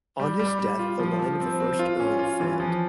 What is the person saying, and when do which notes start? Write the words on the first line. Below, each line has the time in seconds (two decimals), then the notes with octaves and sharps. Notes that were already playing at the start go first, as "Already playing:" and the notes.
On his death the line of the first Earl failed.
0.20 G3
0.39 G3
0.59 G3
0.79 F4
0.99 F3
1.20 F3
1.40 C4
1.60 C4
1.79 F4
2.00 C#4
2.19 F4
2.40 E3
2.60 F3